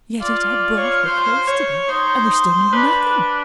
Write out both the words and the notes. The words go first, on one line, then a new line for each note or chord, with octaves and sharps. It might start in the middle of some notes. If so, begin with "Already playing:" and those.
Yet it had brought her close to death,--and we still knew nothing.
F4 D5
D5
C#5
C5
C#5
D#4 C5
D4 B4